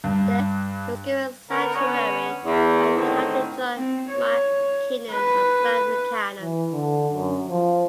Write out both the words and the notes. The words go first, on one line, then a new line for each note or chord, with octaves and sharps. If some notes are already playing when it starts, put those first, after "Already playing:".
There, he was given sanctuary by Captain John MacKinnon of Clan MacKinnon.
G2
D3 B3 A#4
D3 B3 C#4
E2
A2 D3 D#3 C4
C4
C#5
B4
E3
D3
F#2
F3